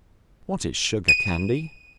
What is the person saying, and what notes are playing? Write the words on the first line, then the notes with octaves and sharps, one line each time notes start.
What is Sugar Candy?
D#7